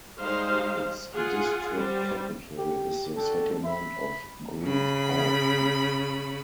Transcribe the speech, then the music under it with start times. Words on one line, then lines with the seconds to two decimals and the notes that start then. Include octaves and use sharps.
Its district capital is the settlement of Groot Aub.
0.18 G3 G#3 D#4 C5 F5
1.13 F4 G#4 F#5
1.76 G3 C5
2.58 G4
3.16 D4 F#4 A4 G5
3.64 E5 B5
4.63 C#3 B5